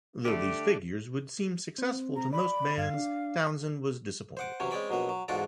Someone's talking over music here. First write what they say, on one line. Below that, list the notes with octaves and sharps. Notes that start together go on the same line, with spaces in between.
Though these figures would seem successful to most bands, Townshend was disappointed.
D3 A3 D4 G4
C4
A#5
D5 B5
G2 F5 G#6
D4
C5 F#5 D6
C3 E3 F#3 C#4
G#3 C4 C#4 D5 B5
A#1 B2 F#3 B4
F#3
E2 G#2 F4 F#4 A4 D5